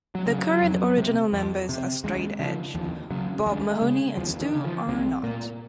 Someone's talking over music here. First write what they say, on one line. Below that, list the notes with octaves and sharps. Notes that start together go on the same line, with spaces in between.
The current original members are straight edge; Bob Mahoney and Stu are not.
F#3
C#3
F#3
F2
C3
F2
C3
D#2 G#3
C#3 F3
D#2 F3
C#3 F#3
D#2 G#3
C#3
D#2 F3
D#3
C#3
F3
C2 C4
A#2 A#3